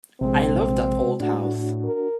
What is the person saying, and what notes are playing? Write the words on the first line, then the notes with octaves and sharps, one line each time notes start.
I love that old house.
A#1 C3 G#3 C4
A2 D4 F#4
A#4